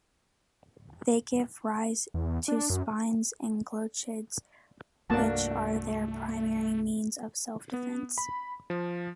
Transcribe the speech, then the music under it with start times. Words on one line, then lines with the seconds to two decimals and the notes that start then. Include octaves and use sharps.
They give rise to spines and glochids, which are their primary means of self-defense.
2.14 E2
2.48 D4
2.70 F#2
5.10 C2 G2 A3 A#3 D4 F#4 A5
7.73 B3
8.18 B5
8.70 F3